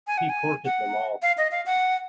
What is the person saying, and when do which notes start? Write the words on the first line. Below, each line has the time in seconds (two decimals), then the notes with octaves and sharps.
He courted them all.
0.07 G#5
0.18 F#5
0.29 G#5
0.65 F#5
1.22 F5
1.38 D#5
1.51 F5
1.66 F#5